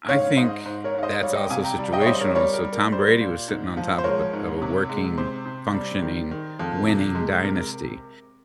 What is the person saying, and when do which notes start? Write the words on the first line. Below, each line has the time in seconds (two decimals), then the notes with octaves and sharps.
I think, that's also situational, so Tom Brady was sitting on top of a of a working, functioning, winning dynasty.
0.09 G#2 C#5 F5
0.37 G#2 C5 D#5
0.65 G#2 C5
0.84 A#4 C#5
0.95 G#2 F5
1.03 C5 D#5
1.22 G3 C#5 F5
1.36 D#5 G5
1.50 C3 F5 G#5
1.64 G5 A#5
1.78 G3
1.93 D#5 G5
2.01 C#5
2.06 G3 C5 D#5
2.21 A#4 C#5
2.35 G3 A#4 C#5
2.54 A#4
2.63 G3
2.73 A#4
2.92 G3 C5
3.21 A#2
3.48 G#2
3.77 F3
3.99 C5
4.04 G#3 A#4 C#5
4.33 G#2
4.62 C3
4.89 G#3
5.18 C3 C5
5.46 C3
5.74 G3
6.02 D#3
6.31 D#3
6.59 F2
6.88 C3
7.15 G#3
7.44 C3 A#4
7.58 A#4